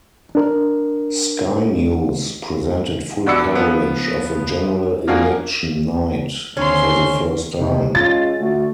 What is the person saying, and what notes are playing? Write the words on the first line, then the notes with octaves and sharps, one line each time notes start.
Sky News presented full coverage of a general election night for the first time.
D4 A#4
E2 F#4 D5 B5 E6 C#7
F3 B3
F3 A#3 D4 F4 F#4 G#4
D#2 D3 C4 C#4 C6 C7
D#2 C3 D#4
G#3 C#4 F4 A6
D3 A3 F#4